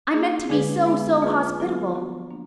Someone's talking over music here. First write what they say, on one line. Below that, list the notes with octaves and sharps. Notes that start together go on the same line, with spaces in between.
I meant to be so--so--hospitable.
A#3 D4 G#4
D3 G#3 D4 G#4 B4
G#3 B3 D4
A#3 F4 G#4 B4
F#3 B3 F4 B4
F3 B3 D4 F#4
A#3 D4